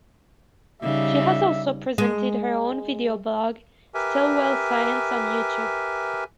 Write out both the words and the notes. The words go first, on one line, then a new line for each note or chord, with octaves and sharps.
She has also presented her own video blog, "Stillwell Science", on YouTube.
C#3 G3 D#4 E5
G#3
G4 A#4 B4 E5 G#5